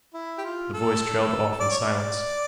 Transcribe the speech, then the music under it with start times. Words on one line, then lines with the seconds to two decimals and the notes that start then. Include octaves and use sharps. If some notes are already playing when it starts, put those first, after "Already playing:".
The voice trailed off in silence.
0.14 E4
0.38 G4
0.43 F4
0.73 A4
1.60 D5
1.71 C#5
1.80 D5